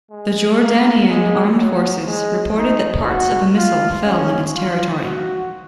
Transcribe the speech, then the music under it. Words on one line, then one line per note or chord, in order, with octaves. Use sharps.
The Jordanian armed forces reported that parts of a missile fell in its territory.
G#3
A#3
G#3
F#3
G#3
D#4
F#4
F4
C#4
F4
F#4